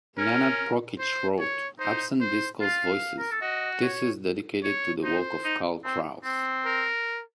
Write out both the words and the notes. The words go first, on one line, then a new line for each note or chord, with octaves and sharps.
Nenad Prokic wrote "Absent Discourse Voices" thesis dedicated to the work of Karl Kraus.
C#4 A#4
C5
C#5
D#4 C5
C5
F4 F5
A#4
A4
F#4 D#5
C#5
C#5
D#4 C5
D#4
C4
C4
A#4